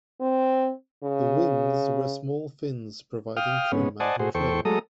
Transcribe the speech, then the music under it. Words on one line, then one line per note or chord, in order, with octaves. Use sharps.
The "wings" were small fins providing trim and control.
C4
C#3
F5 G5 D#6 F6
G#2 B3 C#4
C5 D5 D#5 F#5 G#5 A5
A2 F#4 G#4 C5
E2 A4 C5 G5 C#6
F#3 G#3 A3 A4 A#5 D#6